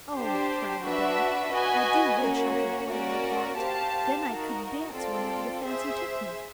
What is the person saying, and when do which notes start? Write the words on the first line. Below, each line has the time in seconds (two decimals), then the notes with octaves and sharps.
'Oh,' cried the bear, 'I do wish I could play like that, then I could dance whenever the fancy took me.
0.15 D4 G4 C5
0.84 D4 F#4 B4 E5
1.53 F#4 B4 D#5 G#5
2.21 A#3 C#4 F#4
2.89 A#3 C#4 F#4 A#4 D5
3.58 G4 C5 F5 A5
4.26 D#4 F#4 A#4
4.96 C4 F4 A4 D5
5.64 G#4 C5 E5